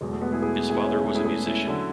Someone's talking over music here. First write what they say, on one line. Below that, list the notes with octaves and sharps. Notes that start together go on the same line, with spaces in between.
His father was a musician.
E2 B2 F#3 G#3
A3
G#3 B3
E4 G#4
E4 G#4
E4 G#4
C#4 E4
G#3
A3
E4 G#4
E4 G#4
C#4 E4
D3 F#3